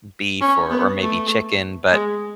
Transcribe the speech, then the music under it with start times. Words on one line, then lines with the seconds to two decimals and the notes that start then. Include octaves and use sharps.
beef or or maybe chicken, but
0.40 C#4
0.70 B3
1.01 A3
1.92 G#3